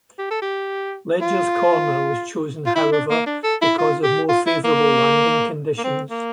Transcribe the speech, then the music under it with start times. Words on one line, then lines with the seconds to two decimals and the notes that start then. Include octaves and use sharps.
Leger's Corner was chosen however because of more favourable landing conditions.
0.19 G4
0.31 A4
0.42 G4
1.22 F4
2.66 F4
2.75 E4
2.92 D4
3.10 A#3
3.26 D4
3.43 A4
3.61 E4
3.78 F4
4.03 G4
4.29 F4
4.46 E4
4.64 A#3
5.78 A#3
5.84 C4
6.10 A#3